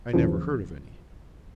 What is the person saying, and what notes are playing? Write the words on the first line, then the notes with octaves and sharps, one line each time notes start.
I never heard of any.'
D#2 C#3 E3 F3